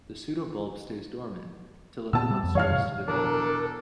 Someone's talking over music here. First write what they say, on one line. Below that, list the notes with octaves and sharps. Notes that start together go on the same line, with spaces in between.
The pseudobulb stays dormant, till a new one starts to develop.
A#2 B3 A5 E6
G3
F2
F#2 E3 G3 C#5 F5 F6
A2 C3
E2 B2 D4 A4 A#4